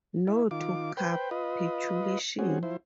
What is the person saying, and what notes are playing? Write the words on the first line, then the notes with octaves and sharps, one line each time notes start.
No to capitulation!
E4
D#3 F4 D6
B4 C5 G5
F4 B4 D#5
G3 C4 C#4 F#4 G#4
F3 E4 C5